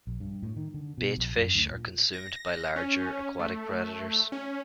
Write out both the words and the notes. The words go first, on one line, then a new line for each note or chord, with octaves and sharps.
Bait fish are consumed by larger, aquatic predators.
A#1
G2
A2
D#3
D3
B2
A#1
F#2
D2
A#2
A#6
C#4
A3
C#4